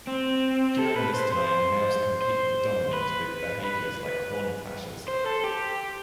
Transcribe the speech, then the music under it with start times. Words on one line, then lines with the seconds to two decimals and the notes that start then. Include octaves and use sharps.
During this time, males compete for dominance with behaviors like horn clashes.
0.07 C4
0.79 A4
0.96 B4
1.14 C5
1.32 C5
2.22 C5
2.93 B4
3.65 B4
5.08 C5
5.26 A4
5.44 G4